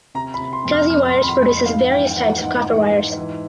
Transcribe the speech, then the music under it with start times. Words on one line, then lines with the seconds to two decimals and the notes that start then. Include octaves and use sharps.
Gazi wires produces various types of copper wires.
0.15 C3 A#5
0.34 B5
0.40 C3
0.53 C6
0.65 F2
0.72 F6
0.90 F2 F6
1.09 C6
1.16 F2
1.23 B5
1.28 C6
1.41 F2
1.48 B5
1.66 G#2 F5
1.91 E3 G5
2.16 E3 F#5
2.41 G#2 F#5
2.66 E3
2.92 G#2
3.17 E3